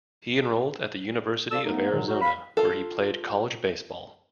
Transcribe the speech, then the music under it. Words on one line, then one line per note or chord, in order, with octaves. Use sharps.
He enrolled at the University of Arizona where he played college baseball.
F4 A4 D5 A5 E6
F3 A3 B3 D#4
F#2 A#2 D3 D#3 F#3
F#3 D#4 F#4
F5 B5
F4 A4